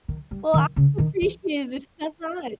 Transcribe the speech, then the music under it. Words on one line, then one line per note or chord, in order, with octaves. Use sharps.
Well, I appreciated this, so fun
D#3
G3
D#3
C#3
D#3
E3